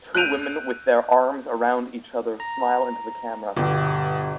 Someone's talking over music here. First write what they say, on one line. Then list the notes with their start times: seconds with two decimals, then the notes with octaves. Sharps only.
Two women with their arms around each other smile into the camera.
0.15 F#6 G6 D7 D#7 F7
2.40 A#5
3.56 G1 B2 G4